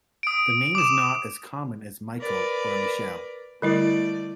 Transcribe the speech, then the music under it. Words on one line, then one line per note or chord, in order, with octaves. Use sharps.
The name is not as common as Michael or Michiel.
D#6 D7
D6 E7
A#4 B4 D5
D3 G3 A3 E4 D5